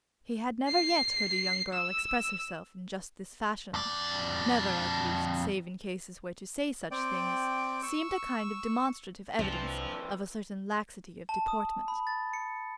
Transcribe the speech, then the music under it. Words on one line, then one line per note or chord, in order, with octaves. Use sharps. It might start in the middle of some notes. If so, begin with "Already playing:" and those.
He had never yet heard a young girl express herself in just this fashion; never, at least, save in cases where to say such things seemed a kind of demonstrative evidence of a certain laxity of deportment.
C7
E6
F2 D5
C4 D5 G5
C#6 E6
C2 E3 F3 C4 D4
A5
D#6
B5
A6
C#7